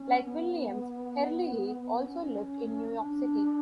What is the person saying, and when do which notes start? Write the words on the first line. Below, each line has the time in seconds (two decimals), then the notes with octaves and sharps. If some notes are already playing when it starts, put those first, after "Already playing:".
Like Williams, Herlihy also lived in New York City.
Already playing: C#4
0.26 B3
2.06 C#4
2.97 D4